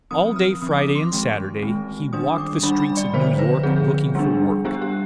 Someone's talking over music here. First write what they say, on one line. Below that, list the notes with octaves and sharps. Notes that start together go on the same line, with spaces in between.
All day Friday and Saturday he walked the streets of New York, looking for work.
F3 C4 D#6
F6
F3 C4 D#6
D6
C6
D#3 G#3 C4
D#3 G#3 C4
D#3 G3 D4 D#6
D6
D#3 G3 D4 B5
B5
D5
D3 F3 C4 C5
B4
D3 F3 C4 G#4
G3 B3 D4
G3 B3 D4 G4
G4